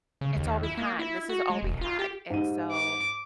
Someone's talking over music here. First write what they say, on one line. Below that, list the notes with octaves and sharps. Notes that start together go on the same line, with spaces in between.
it's all we had, this is all we had. And so
C#3
D#2
E4
A#3
E4
F#4
G#3
E1
F4
G4
G#2 G4 D#7
D6